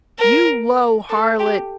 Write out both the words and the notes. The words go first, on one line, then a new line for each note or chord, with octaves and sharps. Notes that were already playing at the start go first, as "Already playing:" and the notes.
"You low harlot!"
A#4
A4
G4